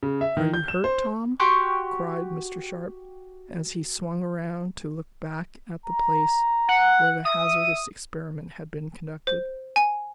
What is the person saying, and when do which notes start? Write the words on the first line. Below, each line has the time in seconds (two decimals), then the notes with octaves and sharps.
"Are you hurt, Tom?" cried Mr. Sharp, as he swung around to look back at the place where the hazardous experiment had been conducted.
0.03 C#3
0.21 E5
0.37 D#3
0.54 G6
0.68 E7
0.84 C5
1.40 F#4 G4 C6 C#6
5.86 A#5
6.68 F#5
7.25 E5 D#6
9.27 C5
9.76 G#5